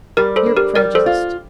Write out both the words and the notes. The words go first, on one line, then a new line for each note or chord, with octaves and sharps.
"You're prejudiced."
G3 G4 A#4
A4 C5
D4
G4 A#4
G3 A#4 D5
A4 C5
F4